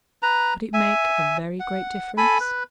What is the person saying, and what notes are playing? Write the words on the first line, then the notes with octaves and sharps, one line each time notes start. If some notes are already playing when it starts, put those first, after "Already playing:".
Would it make a very great difference?
B4 A#5
E5 G#5
F#5
A4 G#5 B5
B4